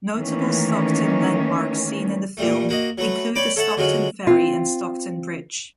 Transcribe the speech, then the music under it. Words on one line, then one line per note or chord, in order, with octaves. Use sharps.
Notable Stockton landmarks seen in the film include the Stockton Ferry and Stockton Bridge.
D#3 E3 A3 A#3 C#4
A#2 G3 A3
A#3 F#4 D#5
F#3 A3 B4
C#5 D5 G5 B5 D6
A4 C#5 E5 F#5 A5
D3 F#3 G#3 F4 F#4
C4 F4